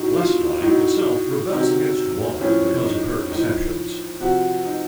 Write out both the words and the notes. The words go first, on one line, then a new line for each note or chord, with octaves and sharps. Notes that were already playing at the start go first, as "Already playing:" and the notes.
'Last Line' itself rebels against Waller because of her deceptions.
Already playing: A2 F#3 D#4
F4
A2 F#3 D#4
C3 D#3 F#3
A2 F3 C#4
D#4
A2 F3 D#4
C3 F3 F#4
D#4